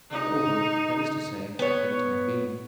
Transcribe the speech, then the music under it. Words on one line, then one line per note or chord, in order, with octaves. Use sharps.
All over, that is to say, for the time being.
D#4
B3 C#5